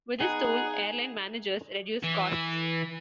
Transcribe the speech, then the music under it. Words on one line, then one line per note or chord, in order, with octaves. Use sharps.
With this tool, airline managers reduce costs.
B3 D#4 G#4 D#5 F#5
E3